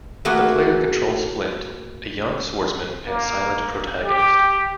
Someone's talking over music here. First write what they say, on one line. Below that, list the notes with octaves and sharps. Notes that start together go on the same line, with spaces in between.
The player controls Flint, a young swordsman and silent protagonist.
A3 A#3 F#4 G#4 B4
A#3
G4